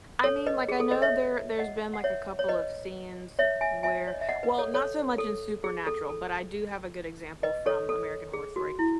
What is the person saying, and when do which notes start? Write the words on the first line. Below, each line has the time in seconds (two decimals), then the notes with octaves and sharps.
I mean, like I know there there's been, like, a couple of scenes where well not so much in Supernatural, but I do have a good example from American Horror Story.
0.24 A4 C#5
0.46 B4 D#5
0.68 G#4
0.80 A4
0.91 B4 D#5
1.02 C#5 E5
1.59 D#5 F#5
1.94 F#5
2.04 C#5 E5
2.39 C#5
2.48 B4 D#5
3.39 C#5 E5
3.61 E5 G#5
3.83 E5 G#5
4.07 C#5
4.14 D#5
4.21 E5
4.29 D#5 F#5
4.43 B4 D#5
4.58 A4 C#5
4.74 A4 C#5
5.18 A4
5.64 G#4
5.87 A4
6.09 A4
7.43 B4 D#5
7.66 A4 C#5
7.89 A4
8.33 G#4
8.56 F#4
8.79 E4